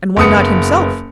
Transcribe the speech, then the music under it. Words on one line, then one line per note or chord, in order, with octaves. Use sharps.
"And why not himself?"
F#1 B3 D#6 C#7